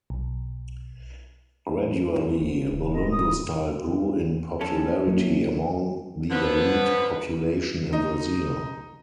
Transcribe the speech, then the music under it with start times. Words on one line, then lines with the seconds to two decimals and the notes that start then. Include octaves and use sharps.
Gradually, the lundu style grew in popularity among the elite population in Brazil.
0.10 B1
1.77 E3
2.41 E1
2.68 D1
2.93 D#5
3.11 D#6
4.61 F2 C#4 A4
5.07 F#2 F#3 A#3
6.31 D3 F3 B3
7.93 D#4